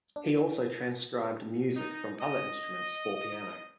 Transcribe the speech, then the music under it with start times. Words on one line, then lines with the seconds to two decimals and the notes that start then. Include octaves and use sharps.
He also transcribed music from other instruments for piano.
0.16 D4
1.76 D#4
2.21 D#5